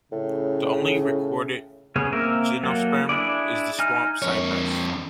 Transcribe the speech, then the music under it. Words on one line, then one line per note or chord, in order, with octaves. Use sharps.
The only recorded gymnosperm is the swamp cypress.
A2 C#3
C#3 B3 C#4 G#4 C#5
A#3 C4 A#4 E5
F#3 A#3 A4
D4 E4 G#4 D5
D#4 G#5 F6
F2 C#5